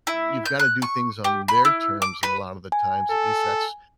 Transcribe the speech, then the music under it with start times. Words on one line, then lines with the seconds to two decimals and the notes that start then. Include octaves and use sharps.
you've gotta do things on their terms, and a lot of the times, at least that's
0.07 E4
0.46 G6
0.59 F#6
0.82 C#6
1.24 G4
1.48 B5
1.65 E4
2.02 D6
2.23 B4
2.72 G#5
3.11 A4